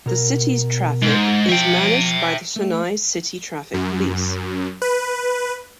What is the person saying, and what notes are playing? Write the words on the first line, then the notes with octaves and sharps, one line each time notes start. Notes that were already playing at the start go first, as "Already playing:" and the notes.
The city's traffic is managed by the Chennai City Traffic Police.
B2 A#4
G#2
F3 E5 G5
A3
F#2
B4